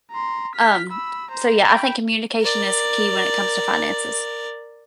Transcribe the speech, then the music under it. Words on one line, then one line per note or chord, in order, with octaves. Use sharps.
um, so, yeah, I think communication is key when it comes to finances.
A#5 C6
F6 B6
B5 E6
C5 A#5
G5 B5
A#4 D5